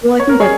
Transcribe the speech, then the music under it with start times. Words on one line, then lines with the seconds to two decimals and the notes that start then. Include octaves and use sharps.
Well, I think that
0.20 C#5
0.29 A#4
0.40 G#4 C#5